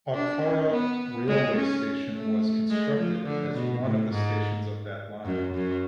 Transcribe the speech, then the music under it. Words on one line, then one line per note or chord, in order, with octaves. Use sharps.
Akhaura railway station was constructed as one of the stations of that line.
D4
C#4
B3
G#3
C#4
A3
G#3
F3
D3
B2
A2
G#2
F#2
F#2